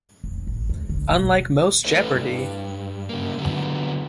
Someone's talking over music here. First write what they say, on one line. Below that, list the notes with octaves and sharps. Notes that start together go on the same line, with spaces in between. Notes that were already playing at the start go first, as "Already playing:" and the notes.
Unlike most Jeopardy!
F1
A1
E2
D3
B2
A3 E4 A4 B4 C#5
G2
C#3 A#3
D3 F#3 B3